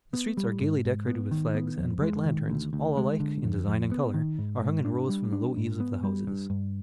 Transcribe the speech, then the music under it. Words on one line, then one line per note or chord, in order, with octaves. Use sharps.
The streets are gayly decorated with flags, and bright lanterns--all alike in design and color--are hung in rows from the low eaves of the houses.
B3
G3
G#2
G#2
B3
D#3
B3
F2
G#3
D#3
D2
D2
G#3
D3
F2
F2
B3
D#3
G#2
G#2
D4
G3
D4
G#2
B3
G3
G2
G2